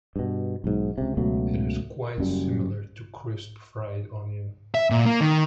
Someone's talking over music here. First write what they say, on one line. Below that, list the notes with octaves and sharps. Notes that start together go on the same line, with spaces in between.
It is quite similar to crisp fried onion.
G2 B2
B1 G#2
C#2 C3
C#2 B2 F#3 A3
F#1 F#2 G3
E5
A#2
A#3
D#3